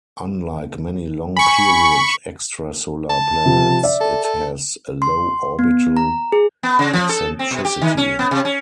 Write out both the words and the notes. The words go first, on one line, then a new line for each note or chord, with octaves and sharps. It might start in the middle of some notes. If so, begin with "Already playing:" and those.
Unlike many long-period extrasolar planets, it has a low orbital eccentricity.
G#5 B5 C#6
A5
C3 F3
D5 E5
A4
A4
C6
B3
A#5
G#4
B3
C#3
F3
A4
C4
B2
G4
D#3
C#4
B3
C3
C#4